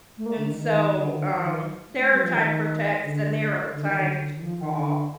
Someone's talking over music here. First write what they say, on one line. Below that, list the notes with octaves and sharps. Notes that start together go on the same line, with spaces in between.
And so, um, there are time for texts and there are time to call.
A3
A#3
D3
D#3
D#3
D3
D#3
D3
D#3
F3
D#3
A3
G3
F3
D#3
D3
D3
D#3
D3
D#3
F3
D#3
D3